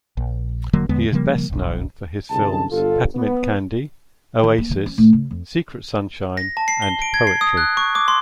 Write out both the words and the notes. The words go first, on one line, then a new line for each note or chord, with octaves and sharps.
He is best known for his films "Peppermint Candy", "Oasis", "Secret Sunshine", and "Poetry".
A#1
E1 D3 F#3 A#3
E2 D3 G#3 B3
C#3 F3 G3 A#3
E1 B1
C2 D3 G#4 A5
G1 F4 A4
B3
D#3
A#3
E3
C#4
A2
C#3
F2
A#6
A5
C7
G7
D7
G#6
C7
D#6
F#6
C#6
D6
C6